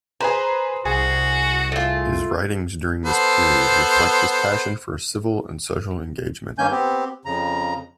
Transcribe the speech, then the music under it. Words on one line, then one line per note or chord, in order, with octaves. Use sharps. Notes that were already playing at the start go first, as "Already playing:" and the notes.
His writings during this period reflect his passion for civic and social engagement.
G#4 B4 C5 A#5
C2 F#4 G#4
A3 F4
B3 A4 C5
G2 D#3 A#3 C#4 G#5 G6
B3 C4 G4
F2 C#3 A#5